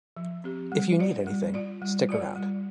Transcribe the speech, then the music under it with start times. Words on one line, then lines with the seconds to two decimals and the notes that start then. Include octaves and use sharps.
If you need anything, stick around.
0.17 F3
0.44 C4 G4
0.72 G3
0.99 F4 D5
1.27 G3
1.54 F4 D5
1.82 G3
2.09 F4 D5
2.35 G3